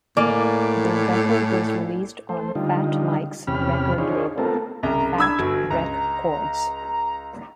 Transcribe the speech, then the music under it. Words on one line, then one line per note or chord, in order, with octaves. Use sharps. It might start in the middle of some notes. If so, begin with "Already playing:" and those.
The record was released on Fat Mike's record label, Fat Wreck Chords.
A2 A#3 D5 G#5
A3 C5
D3 G3 D#4 F4
E2 C3 C#4 G4 B5 F6
D4 D#4 F4 G#4 C5 C#5
A3 B3 C4 F4 A4 A#4
C2 C#3 A#5
D4 B5 E6 G#6
G1 F#4
C#2 A#5